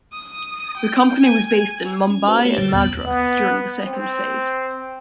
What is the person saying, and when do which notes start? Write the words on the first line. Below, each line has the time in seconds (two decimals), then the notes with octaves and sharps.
The company was based in Mumbai and Madras during the second phase.
0.13 D#6
0.77 G5
1.20 G#5
2.10 C#4
2.27 F#4 A4 B4 C5
2.45 A3 G4 C#5
2.58 A#2 D3
2.73 D#2 B3
3.06 B3
3.86 C4